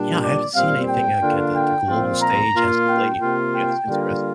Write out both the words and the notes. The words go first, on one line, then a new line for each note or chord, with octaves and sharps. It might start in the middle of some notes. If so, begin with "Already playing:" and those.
yeah, I haven't seen anything like at the g the global stage as of late. Yeah, that's interest
Already playing: A#2 G3 D4
D5
A#2 G3 C4 F5
G5
D3 A#3 D4 F4
G5
A#2 F3 C4 F4
A#5
A#2 A#3 F4
G5
C3 A#3 F4
G5
D3 G3 A#3 F4